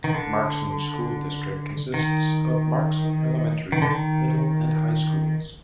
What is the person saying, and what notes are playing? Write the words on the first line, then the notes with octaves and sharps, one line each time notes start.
Markesan School District consists of Markesan Elementary, Middle and High Schools.
D#3
D3
D#3
D#3
D3
D#3